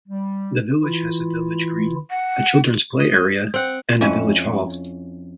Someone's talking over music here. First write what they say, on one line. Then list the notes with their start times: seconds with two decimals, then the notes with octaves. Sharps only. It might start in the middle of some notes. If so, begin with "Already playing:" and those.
The village has a village green, a children's play area, and a village hall.
0.08 G3
0.84 E3 E4 F4
2.11 F#5
3.00 D#5
3.54 C4 F#5
4.01 F2 C#4 E4